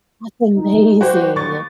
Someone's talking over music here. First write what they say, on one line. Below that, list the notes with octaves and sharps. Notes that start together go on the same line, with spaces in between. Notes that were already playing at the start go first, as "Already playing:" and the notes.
That's amazing.
D#4
E3 F#3 G3 F#4 G4 C5
D#2 C#6 A6